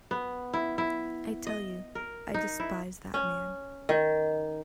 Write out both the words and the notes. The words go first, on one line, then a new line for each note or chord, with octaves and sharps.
I tell you I despise that man.
B3
E4
E4
D#5
A#4
D#4
E4
C#4
D#3